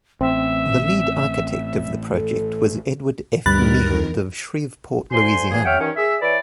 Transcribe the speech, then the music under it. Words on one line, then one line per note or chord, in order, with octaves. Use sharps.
The lead architect of the project was Edward F. Neild of Shreveport, Louisiana.
A1 C4 E5
A4
D2 G2 D#3 G3 A#4 B5 F#6 A6
D2 C5 G#5 C6
E2 G2 E3 A#3 G#4
G4 C#5 E5 F#5 G5 F6
G2 D#3 E3 C#4
G#4 E5
E3 B4 C#5 D5